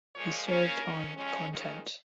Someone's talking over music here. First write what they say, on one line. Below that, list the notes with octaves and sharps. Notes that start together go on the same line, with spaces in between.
He served on "Content".
A#2 F3 G#3 C#5
C#3 A#3 C#4
F2 D#3 C#4 A#4
F2 F3 G#3 C#4
F2 D#3 G#3 C#4